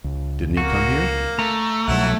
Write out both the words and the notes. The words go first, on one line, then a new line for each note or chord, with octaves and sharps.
"Didn't he come here?"
C#2
A#3 F#4
A3 A#5
C2 B2 F#3 E4 F#5